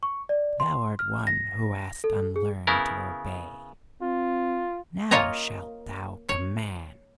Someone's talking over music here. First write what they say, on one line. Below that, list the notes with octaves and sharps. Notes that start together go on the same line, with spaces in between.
Thou art one who hast unlearned to obey: now shalt thou command!
C#6
D5
C6
F6
A#6
A4
G#4
C#3 B3 E4 A#4
C4 F4
A#3 F4 C#5 D#5 G#5 A#5
C#5